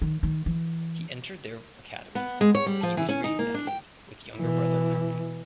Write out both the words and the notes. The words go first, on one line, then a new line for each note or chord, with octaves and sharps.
He entered their Academy where he was reunited with younger brother Carney.
D#3
D#3
E3
B3
G#3
C#5
G3
F3
E3
C#4
D#4
A#3
D4
G5
B2 E3